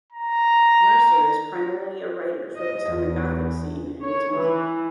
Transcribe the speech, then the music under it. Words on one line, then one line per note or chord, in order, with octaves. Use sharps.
Mercer is primarily a writer focused on the gothic scene and its music.
A#5
D#5
E2
C#5
E3